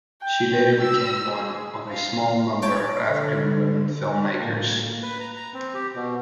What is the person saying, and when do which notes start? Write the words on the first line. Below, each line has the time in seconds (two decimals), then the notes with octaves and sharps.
She later became one of a small number of African women film makers.
0.21 G5
0.53 G5
0.81 E6
1.30 G#4
1.89 F5
2.62 C#5 G5 A5
3.04 D3
4.33 A2 A#3
5.03 B4
5.20 A#5
5.37 A#5
5.54 C4
5.74 G4
5.95 B2